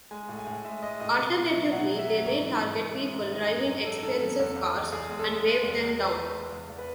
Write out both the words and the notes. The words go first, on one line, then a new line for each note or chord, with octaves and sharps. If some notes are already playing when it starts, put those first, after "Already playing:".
Alternatively, they may target people driving expensive cars and wave them down.
G#3 G#5
A2
G#5
A2
G#3 E5
G#3 D#5
A2 D#5
B2
B2
E5
F#3
B2 F#5
F#3
E5
F#3
G#2
E3
G#2
G#2
G#3
G#2
D#3 D#5
F#2
F#3
F#2 A4
D#3 A4
F#3 A4
E2 A4
E2
E2
E2 G#4
G#3
A4
G#3
G#3
E2
E2
E2 B4
G#3
G#3
E2
E2
B4